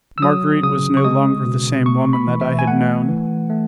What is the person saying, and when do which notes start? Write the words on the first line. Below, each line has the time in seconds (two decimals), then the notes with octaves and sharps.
Marguerite was no longer the same woman that I had known.
0.18 E6
0.22 F#3 D#6
0.63 C#3 D#6
0.97 C#6
1.04 G#3 D#6
1.45 B2
1.86 A3 C#6
2.13 B5
2.27 E3
2.41 E5
2.59 G#5
2.67 A3 F#5
3.09 E3
3.50 A3